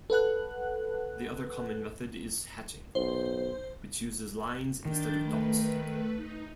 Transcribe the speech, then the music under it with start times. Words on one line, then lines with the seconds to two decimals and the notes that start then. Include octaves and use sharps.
The other common method is hatching, which uses lines instead of dots.
0.10 A4 B4 F#5 F#6
2.95 B1 C5
4.85 D#3 D4 G6 A6
5.20 A3 B4
6.16 D#4